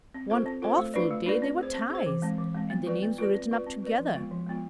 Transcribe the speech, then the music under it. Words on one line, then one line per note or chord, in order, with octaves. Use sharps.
One awful day they were ties and their names were written up together.
C4
F4 A4 C5
C4
F4 A4 C5
A3
D4 F4 B4 D5
A3
D4 F4 B4 D5
C4
G#4 C5
C4
G#4 C5
E3
G#3 C4
E3
G#3 C4
B3
F4 B4 D5
B3
F4 B4 D5
C4
F4 B4 D5
C4
F4 B4 D5
F3
G#3 B3 F4
F3
G#3 B3 F4